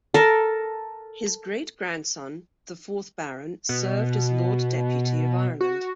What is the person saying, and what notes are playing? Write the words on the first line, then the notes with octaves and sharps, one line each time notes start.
His great-grandson, the fourth Baron, served as Lord Deputy of Ireland.
A4 A#4
B2
F#4